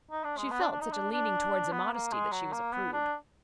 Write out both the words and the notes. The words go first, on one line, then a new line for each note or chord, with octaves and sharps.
She felt such a leaning towards immodesty that she was a prude.
D#4
D4
G#3
B3
D4
D4
D#4
D4
D4
B3
A#3
G#3
F#3
A#3
B3
D4